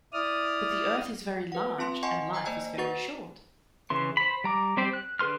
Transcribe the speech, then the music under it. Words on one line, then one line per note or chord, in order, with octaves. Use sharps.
But the Earth is very large, and life is very short!
E4 D5 D#6 F6
B4 F#5
C4 F4 A5 C6
D#5 F#5 G#5 A5 C6 C#6
G5 G#5 A#5 G#6
A#3 C5 D5 D#5 A5 G#6
F#4 B4 F#5 C#6 A6
C#3 E3 C6
C5 B5
G3 A#5 D6
G3 C4 G4 C5
F#6
D3 G#4 B4 C6 F6